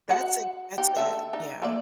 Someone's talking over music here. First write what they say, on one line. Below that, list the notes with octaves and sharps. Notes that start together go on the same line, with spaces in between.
that's it, that's it, yeah.
F#4 F#5
D#4 G4
D3 A3 E5
D4 D#4
A3 A#3 D5